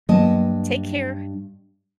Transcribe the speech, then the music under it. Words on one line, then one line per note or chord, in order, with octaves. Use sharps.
take care.
G2 F#3 A#3 B3 D#5 A5